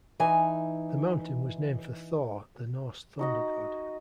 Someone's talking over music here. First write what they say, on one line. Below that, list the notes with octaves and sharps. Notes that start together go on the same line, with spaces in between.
The mountain was named for Thor, the Norse thunder god.
E3 D#4 G#5
D#4 F#4 D#5